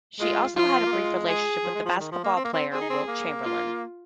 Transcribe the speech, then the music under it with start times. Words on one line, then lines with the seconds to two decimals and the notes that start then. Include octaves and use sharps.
She also had a brief relationship with basketball player Wilt Chamberlain.
0.20 G#3 F4
0.56 F3 F4
0.86 A#3
0.92 G#3
1.28 G#4
1.64 F3
1.75 G#3
1.85 F3
2.00 D#3
2.12 F3
2.24 A#3
2.36 C4
2.44 A#3
2.54 C4
2.72 C4 G#4
2.81 D#4
2.90 C4
3.08 A#3
3.44 F4